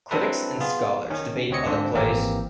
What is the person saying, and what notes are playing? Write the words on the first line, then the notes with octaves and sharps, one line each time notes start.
Critics and scholars debate other plays.
F#3 C4 D4 E4 A4 B4
B3 F4 G#4
D#3 C#4
D2 C3 C4 C#5 D#5 C#7
G#2 D3 C4 D4 F4
G#1 E3 A#3 C4 G4 A#4